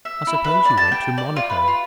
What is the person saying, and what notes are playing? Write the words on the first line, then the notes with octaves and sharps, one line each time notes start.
"I suppose you went to Monaco?"
E5
E4
B4
D5
A5
G5
D5
F4
B4
F4